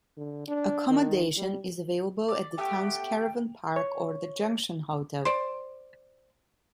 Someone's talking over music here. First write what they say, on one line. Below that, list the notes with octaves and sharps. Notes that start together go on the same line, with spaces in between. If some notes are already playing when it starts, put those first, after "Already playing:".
Accommodation is available at the town's caravan park or the Junction Hotel.
D3
D4
D#3
G3
D5
A3 B3 G4 G5
C#5
C5 D5